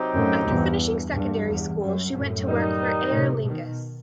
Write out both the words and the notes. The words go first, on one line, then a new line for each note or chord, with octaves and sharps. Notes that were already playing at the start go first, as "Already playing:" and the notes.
After finishing secondary school she went to work for Aer Lingus.
Already playing: C3 F#3 C4 D#4 G4
F#2 A2
E2 G2
E2 G2
E2
F#2
F#2 A2
D#3 G3 D#4
A2 C3
B2 D#3